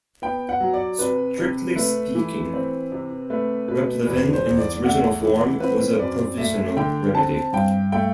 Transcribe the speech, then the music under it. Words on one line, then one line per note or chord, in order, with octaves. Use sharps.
Strictly speaking, replevin in its original form was a provisional remedy.
B3 G5
F#5
F#3
D5
C3 B4
C3
A3 B4
E3
C4
C3
A3 B4
B2 B4
E2 B4
C5
E2
D5
A3 F#5
E3
C4 B4
F#2 D5
A3 E5
D3 G5
C4 A5
G2 G5
A3 G5